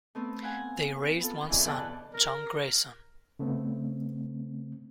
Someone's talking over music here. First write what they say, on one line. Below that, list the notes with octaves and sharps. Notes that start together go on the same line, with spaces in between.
They raised one son, John Grayson.
A3 B3 C4
F5 F#5 G#5
B3 F4 A4
E2 G2 B2 D3 E3
B2 A4 D5 A5 F#6
A#4
C#3 A3 B3 C4